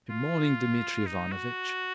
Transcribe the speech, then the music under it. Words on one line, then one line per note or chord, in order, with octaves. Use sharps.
"Good-morning, Dmitri Ivanovitch."
F4
D#4
F#4